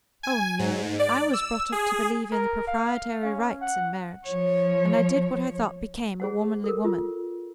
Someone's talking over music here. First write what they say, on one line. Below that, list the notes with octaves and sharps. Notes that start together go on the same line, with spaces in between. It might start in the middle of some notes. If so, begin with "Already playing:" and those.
Oh, no. I was brought up to believe in the proprietary rights in marriage, and I did what I thought became a womanly woman.
G#5
G#2
D5
E6
G#4
A#4
F5
C#4
F#5
F3 C#5
G#4 C5 F#5
A4 A#4
F4